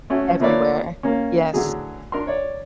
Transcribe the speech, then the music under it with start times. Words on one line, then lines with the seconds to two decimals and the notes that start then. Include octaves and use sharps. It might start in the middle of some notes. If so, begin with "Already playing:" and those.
Everywhere. Yes.
0.10 A3 C#4 F#4
0.40 F3 A3 A#3 B4 C#5 D5
1.03 A#3 C#4
1.54 A2 D3 E3 F#3 G#4
2.12 D4 A#4 C6
2.27 C#5 D5